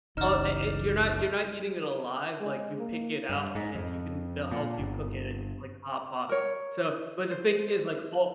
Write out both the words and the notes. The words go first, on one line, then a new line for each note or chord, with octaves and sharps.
Oh, e eh, you're not you're not eating it alive, like, you pick it out and you can they'll help you cook it, it's like hot pot. So but the thing is, like, o
F#1 C2 C#3 E3 D#4 D5 F6 E7
G#3
A#3
G2
G#2
F2
A#2
G1
A#4 C#5
C5